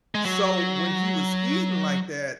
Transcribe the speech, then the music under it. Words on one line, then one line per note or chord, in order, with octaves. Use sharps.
So when he was eating like that,
G#3
F#3